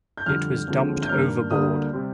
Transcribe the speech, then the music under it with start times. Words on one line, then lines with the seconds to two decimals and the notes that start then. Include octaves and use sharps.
It was dumped overboard.
0.17 G6
0.26 F2 D3 G3 F6
0.68 D#2 D3 F3 G#3 C4
1.03 G6
1.09 G2 D#3 G3 A#3 D4 F6
1.51 D2 D3 G3 A#3 D4 D#6
1.93 C3 G3 C4